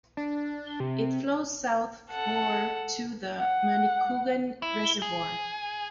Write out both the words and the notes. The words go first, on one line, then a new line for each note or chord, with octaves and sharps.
It flows south for to the Manicouagan Reservoir.
D4
C3
A4 F#5
F#5
E4
G#4